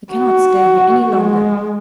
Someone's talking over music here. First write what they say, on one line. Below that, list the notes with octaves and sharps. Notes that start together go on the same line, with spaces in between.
I cannot stay here any longer.
F#4
G#3